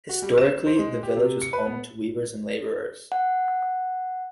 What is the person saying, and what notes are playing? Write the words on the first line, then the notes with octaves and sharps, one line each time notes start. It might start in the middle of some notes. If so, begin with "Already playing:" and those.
Historically the village was home to weavers and labourers.
F#4
G3
E7
C5
G#3
G4
C3
C#7
B4
B3
F#5